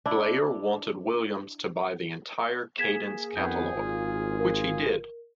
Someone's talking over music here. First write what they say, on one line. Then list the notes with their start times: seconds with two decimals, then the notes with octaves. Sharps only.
Bleyer wanted Williams to buy the entire Cadence catalogue, which he did.
0.06 D4 E4
2.78 A#3 G#4 G#6 B6 E7
3.36 F2 D#3 B3 G#4 G6
3.74 G#1 A#2 F4
4.40 F4 A#4